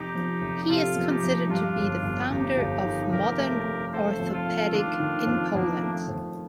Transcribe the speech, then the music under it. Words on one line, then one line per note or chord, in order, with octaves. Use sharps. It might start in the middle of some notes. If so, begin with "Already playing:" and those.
He is considered to be the founder of modern orthopedic in Poland.
Already playing: F1 D#4 G4
F3
F1
C3 F4 A4
F3
D#4 G4
F3
G2 D4 F4
G1
G1
G1 D#4 G4
G1
D#3
F1 G4 A#4
A3
A3
A3 A4 C5
F2
F4 A4
A3
D#3 D4 F4
D#3
F2
F2 A#3 D4
A3
F2